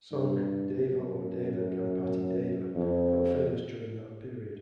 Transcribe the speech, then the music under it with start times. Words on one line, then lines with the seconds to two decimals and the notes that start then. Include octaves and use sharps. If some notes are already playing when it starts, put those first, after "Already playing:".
Song "Deva O Deva Ganpati Deva" got famous during that period.
0.11 G2
0.77 F#2
2.75 F2